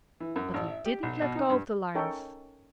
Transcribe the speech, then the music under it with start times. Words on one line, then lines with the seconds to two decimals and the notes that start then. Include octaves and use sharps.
But he didn't let go of the lines!
0.20 E3
0.36 F#2
0.54 A1
0.68 E5
0.86 G4
1.03 B1
1.22 B2
1.35 D#4
1.50 G2
1.95 C#4 D#4 A4 A#4 C#5 G5